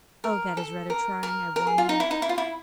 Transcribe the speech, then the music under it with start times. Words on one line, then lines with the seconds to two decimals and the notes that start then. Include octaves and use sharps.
"Oh! that is rather trying, I warn you."
0.24 A#4
0.57 A4
0.90 A#4
1.23 A#4
1.56 A#4
1.67 G#4
1.78 F4
1.89 D#4
2.00 E4
2.11 D#4
2.22 E4
2.29 F4
2.38 E4